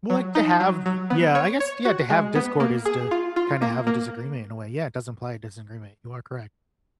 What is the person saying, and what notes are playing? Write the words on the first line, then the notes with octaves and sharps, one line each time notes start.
Well, like, to have yeah, I guess yeah, to have "discord" is to, kind of have a disagreement, in a way, yeah, doesn't play, disagreement, you are correct.
F#3
D#4
F#3
F#3
B3
C#5
C#5
F#4
G#3
B3
A#3
G#4
F4
F4
A#3
A#3